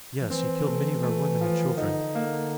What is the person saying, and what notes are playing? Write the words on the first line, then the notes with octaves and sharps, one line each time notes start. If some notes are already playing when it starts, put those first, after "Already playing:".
Yes, he killed many of our women and children.
F3
E3 C4
A3
A3
F3
D#3
D3 D#4
A#3